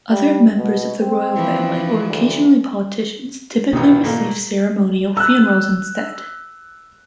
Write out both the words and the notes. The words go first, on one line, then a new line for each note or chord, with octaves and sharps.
Other members of the royal family, or occasionally politicians, typically receive ceremonial funerals instead.
G3
B2
C4
E3 F3
D2
C2 B2 D#3 E3
A#2 A3 A#3
E6 F#6